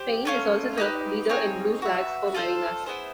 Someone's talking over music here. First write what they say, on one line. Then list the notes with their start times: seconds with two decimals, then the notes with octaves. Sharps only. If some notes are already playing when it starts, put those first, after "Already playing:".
Spain is also the leader in blue flags for marinas.
Already playing: G4 C5
0.25 A3 C#4 F4
0.78 D#4 G4 B4
1.29 C4 D#4 G#4 C#5
1.82 F#4 B4 E5
2.35 F4 A4 C5
2.86 B3 E4 G#4 C5